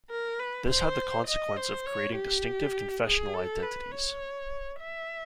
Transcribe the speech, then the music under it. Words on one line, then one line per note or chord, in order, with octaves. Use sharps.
This had the consequence of creating distinctive confessional identities.
A#4
B4
C5
D#5
C5
C#5
G4
G#4
A4
B4
C#5
E5